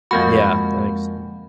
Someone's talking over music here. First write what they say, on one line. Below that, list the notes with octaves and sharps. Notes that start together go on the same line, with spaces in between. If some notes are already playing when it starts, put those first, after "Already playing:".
Yeah, that makes
F2 G#3 A#3 F#4 B5 G6